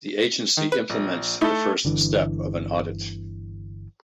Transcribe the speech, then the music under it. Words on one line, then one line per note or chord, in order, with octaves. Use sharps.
The agency implements the first step of an audit.
D#3
B4
A#1
A3 D#4 E4 A4
G1 D3 E3